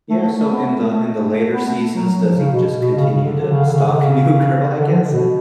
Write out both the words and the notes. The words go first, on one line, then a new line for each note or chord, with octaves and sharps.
Yeah. So in the in the later seasons, does he just continue to stalk a new girl, I guess? And
A3
A3
A3
B3
A3
A3
A3
A3
B3
A3
A3
F#3
F#3
F3
C#3
B2
B2
C#3
C#3
D3
D3
C#3
D3
C#3
D3
C#3
D3
F3
D3
B2